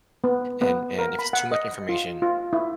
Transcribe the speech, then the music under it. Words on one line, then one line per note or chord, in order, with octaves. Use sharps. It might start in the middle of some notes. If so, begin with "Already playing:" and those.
And and if it's too much information,
B3
B3
A#4
B5
F#5
D#5
F4
F4
E4